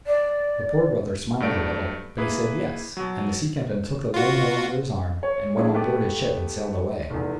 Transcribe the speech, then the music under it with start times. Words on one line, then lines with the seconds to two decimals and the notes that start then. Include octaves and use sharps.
The Poor Brother smiled a little, but he said, "Yes," and the Sea Captain took the Little Mill under his arm, and went on board his ship and sailed away.
0.06 D5
1.40 G2 F#3 A3 D7
2.18 A#3 E4 G#4 B4
2.97 B2 F#3
4.14 F4 F#4
5.23 C#5
5.56 F3 C#4 D#4 E4 G#4
5.74 A3 B3 G4
7.10 F1 E2